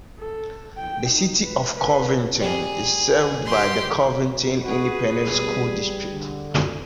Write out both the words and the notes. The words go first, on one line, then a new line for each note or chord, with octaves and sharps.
The City of Covington is served by the Covington Independent School District.
A4
G5
D#4
B4
B4
G3 G#4
G4 C6
B2
F#4 G#4 B4
B2 G3
D3